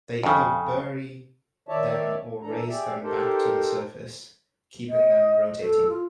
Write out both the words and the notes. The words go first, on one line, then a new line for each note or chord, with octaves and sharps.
They either bury them or raise them back to the surface, keeping them rotating.
F2 C#3
D#3 C#5 D5 E5 A5
E3 D4 A4 A#5
G4 G#4 D5 E5
D#4 G4 A4 A#4 C5
D#5
A4
F4